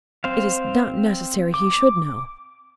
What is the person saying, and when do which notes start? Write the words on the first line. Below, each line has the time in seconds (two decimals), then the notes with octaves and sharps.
It is not necessary he should know.
0.24 C4 C5 F5
1.54 D6